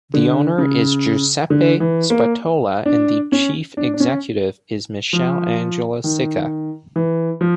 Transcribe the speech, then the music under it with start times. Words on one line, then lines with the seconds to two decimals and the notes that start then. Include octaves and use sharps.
The owner is Giuseppe Spatola and the Chief Executive is Michele Angelo Sica.
0.14 D3
0.58 C#3
1.50 D3
1.80 E3
2.10 A#3
2.86 D4
3.32 C#4
3.77 D4
3.94 D4
4.00 C#4
5.13 F3
6.04 D#3
6.96 E3
7.41 F3